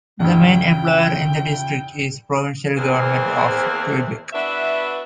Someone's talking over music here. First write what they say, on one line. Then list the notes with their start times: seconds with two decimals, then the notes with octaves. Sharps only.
The main employer in the district is the provincial Government of Quebec.
0.20 E2 G2 C#3 E4 F4 G5
2.77 E2 E3 A#3 C4 G#4 C5
4.33 B3 D4 E4 F#4 B4 E5